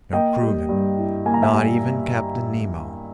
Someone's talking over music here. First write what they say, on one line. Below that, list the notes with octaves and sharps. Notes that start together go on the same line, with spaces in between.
No crewmen. Not even Captain Nemo.
A#3 D#5 G5
G3
G2
E4
A#3 G#5
A#5
E5 G#5
G3